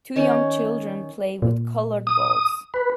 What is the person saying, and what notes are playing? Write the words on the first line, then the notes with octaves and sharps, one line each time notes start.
Two young children play with colored balls.
D#3 C#4
A#2
D#6
B4